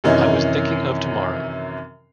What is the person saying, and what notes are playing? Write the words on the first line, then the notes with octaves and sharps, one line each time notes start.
I was thinking of tomorrow.
F#2 C3 D#3 E3 C#4 D#4